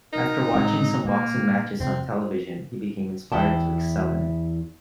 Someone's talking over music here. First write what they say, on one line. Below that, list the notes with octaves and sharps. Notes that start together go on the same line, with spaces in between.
After watching some boxing matches on television, he became inspired to excel in it.
D#4 A#4
A2 F#3 G#3 C4
A#2 A#3
F2 C3 C4
E2 E4 G5 A5